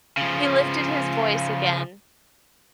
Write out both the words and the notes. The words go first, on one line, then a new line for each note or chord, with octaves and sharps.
He lifted his voice again.
C#3 F3